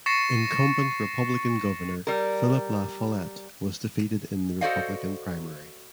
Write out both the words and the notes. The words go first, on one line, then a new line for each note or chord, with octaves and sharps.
Incumbent Republican Governor Philip La Follette was defeated in the Republican primary.
C#6 A6 A#6 C7 C#7 E7
G3 A#4
F#4 A4 C5 D5 D#5 F5